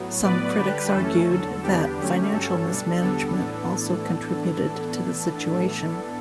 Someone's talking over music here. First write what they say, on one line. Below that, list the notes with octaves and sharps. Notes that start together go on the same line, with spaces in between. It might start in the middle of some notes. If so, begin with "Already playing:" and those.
Some critics argued that financial mismanagement also contributed to the situation.
Already playing: A2 F#3 B3
A2 F#3 B3 B4 D5
D3 G3 D4 G4 B4
F#2 E3 A3 C#4 A4
E2 D3 F#3
E2 D3 G3 B3 D4 G4
D3 F#3 A3 C#4
G2 F#3 A3 C#4 A4
B2 G3 D4
E2 D3 G3 B3 D4 A4
A2 E3 B3 D4